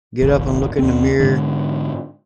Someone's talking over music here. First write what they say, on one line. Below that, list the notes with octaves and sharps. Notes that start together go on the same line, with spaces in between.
get up and look in the mirror,
D#1 G#1
D#2 C4
G#2 D3